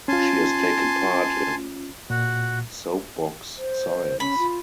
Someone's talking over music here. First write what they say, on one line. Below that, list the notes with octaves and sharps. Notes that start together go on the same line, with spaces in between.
She has taken part in Soapbox Science.
C#4 F4 G#5 A5 C6
A#2 F#4
C5
C#4 B5
F4